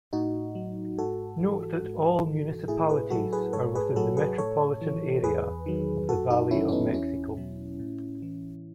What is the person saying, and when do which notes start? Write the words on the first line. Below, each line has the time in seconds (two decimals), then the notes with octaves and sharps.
Note that "all" municipalities are within the Metropolitan Area of the Valley of Mexico.
0.13 A2 D#4 F#4
0.55 F#3
0.98 G#2 F#4 A4
1.40 E3
1.84 G#2
2.26 E3
2.68 A2 E4 G#4
2.89 G#4 B4
3.10 F#3 F#4 A4
3.33 G#4 B4
3.53 G#2 A4 C#5
3.75 G#4 B4
3.96 F#3 F#4 A4
4.17 G#4 B4
4.38 A2 A4 C#5
4.81 E3
5.23 E2 G#4 B4
5.66 D#3 F#3
6.09 F#2 F#4 A4
6.30 D#4 F#4
6.51 D#3 F#3 C#4 E4
6.68 C#4
6.72 B3 D#4
6.94 E2 C#4 E4
7.37 B2 F#3
7.79 A2
8.22 E3